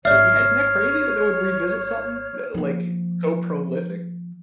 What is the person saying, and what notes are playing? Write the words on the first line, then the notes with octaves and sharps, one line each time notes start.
Y yeah, isn't that crazy that they would revisit something, l like, so prolific
G#1 C#5 D5 E5 F6 C7
F3 A#3